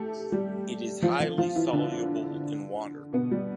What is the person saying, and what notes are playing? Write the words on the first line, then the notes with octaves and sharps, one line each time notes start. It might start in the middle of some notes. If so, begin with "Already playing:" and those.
It is highly soluble in water.
Already playing: A3 G4 A4
G3 G4
F3 F4
F3 F4
F3 F4
E3 E4
D3 D4
B2 B3
G3